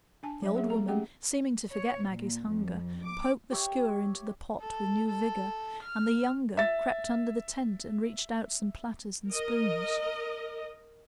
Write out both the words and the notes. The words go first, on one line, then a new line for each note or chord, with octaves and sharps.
The old woman, seeming to forget Maggie's hunger, poked the skewer into the pot with new vigor, and the younger crept under the tent and reached out some platters and spoons.
D4 G#5 A5
F#3 C#5 E5
B3 G#4 E5
A#3 A4 A#5
A3 C#4 G4 G#4 F#5 G5
C#5
A#2
F2
D6
G4 C#5 E5
A4
A4
F6
E5 A6
A#4 D#5